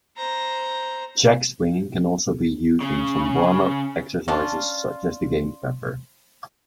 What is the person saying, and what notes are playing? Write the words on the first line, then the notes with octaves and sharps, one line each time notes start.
Check-swinging can also be used in some warm-up exercises, such as the game pepper.
C5 A#5
C#3
C#4 D4 F4